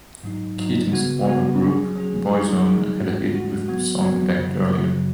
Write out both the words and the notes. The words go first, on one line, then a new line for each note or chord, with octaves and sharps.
Keating's former group, Boyzone, had a hit with the song a decade earlier.
G#2 F#3 D#4
G#2 F#3 D#4
C#3 B3 F#4
C#3 B3 F#4
F#3 C#4 G#4
F#3 C#4 G#4
F#3 D#4 G#4
F#3 D#4 G#4
G#2 G#3 C#4 F#4
G#2 G#3 C#4 F#4
F#3 B3 F#4
F#3 B3 F#4
F#2 C#3 F#3
F#2 C#3 F#3